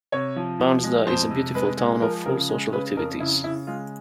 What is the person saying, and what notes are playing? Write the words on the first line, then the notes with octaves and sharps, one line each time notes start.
Vansda is a beautiful town of full social activities.
C3 C#5
F3
F3
G#3
F2 C5
C3
G#3 B4
G#3
F3 A#4
C#3 A#4
G#3
C#3 B4
F2 A#4
C#3 E4
C#3 E4
G#3 F4